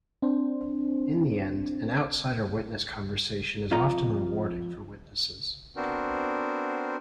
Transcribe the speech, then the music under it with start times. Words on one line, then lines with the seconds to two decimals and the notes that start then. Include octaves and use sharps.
In the end, an outsider witness conversation is often rewarding for witnesses.
0.22 C4 D4 C5
3.71 F2 F4 D#5 A#5
5.76 B3 C4 D4 F#4 A#4 C5